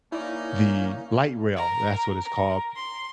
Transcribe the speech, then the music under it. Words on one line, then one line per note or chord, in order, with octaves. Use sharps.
the Light Rail that's what it's called,
A#3 C#4 D#4 E4 D5
A#4
A#4
C6